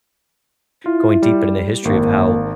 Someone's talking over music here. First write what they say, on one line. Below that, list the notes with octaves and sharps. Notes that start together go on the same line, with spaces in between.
going deep into the history of how,
E4 F4
G3
G#1 A#3